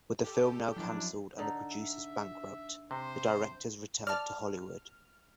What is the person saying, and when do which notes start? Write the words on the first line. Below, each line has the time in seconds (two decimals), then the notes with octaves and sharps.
With the film now cancelled and the producers bankrupt, the directors return to Hollywood.
0.24 G4 A4
0.76 F#2 F3 F#3 D4 E4
1.38 D3 D#4
1.72 E5
2.91 C3 C5
4.07 D5 A5 F6